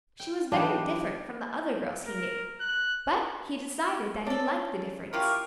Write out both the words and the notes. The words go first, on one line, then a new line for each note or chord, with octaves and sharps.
She was very different from the other girls he knew, but he decided that he liked the difference.
G5
E3 F#3 D4 D#4 G4 D#5
A#4
F#6
C#4 D4 A4
E4 F4 G4 A#4 G5 C#6 D6